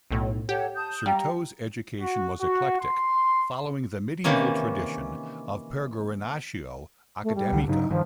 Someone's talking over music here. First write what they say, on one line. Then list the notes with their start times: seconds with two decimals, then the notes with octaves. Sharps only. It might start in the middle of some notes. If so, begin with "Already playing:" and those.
Certeau's education was eclectic, following the medieval tradition of "peregrinatio academica".
0.11 B1 A2
0.49 G4 A4 C#5 F#5
0.76 A5 D#6 G6
1.06 G3 F5 G5 A#5
2.01 F#4
2.41 F#4
2.80 C6
4.24 C3 D#3 E3 A#3 C#4
7.23 A3
7.35 G3
7.52 C#2 D3
7.67 G2 C#3 F#3 D#4
7.90 G2 D#3 F3